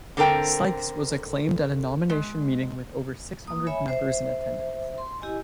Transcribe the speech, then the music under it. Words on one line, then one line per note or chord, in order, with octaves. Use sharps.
Sykes was acclaimed at a nomination meeting with over six-hundred members in attendance.
D3 C4 A4 A#4 G5
G#3
A#3 D#6
C#5 E5 G#5 B5
C5 E5
C6
E4 G4 D#5 G#5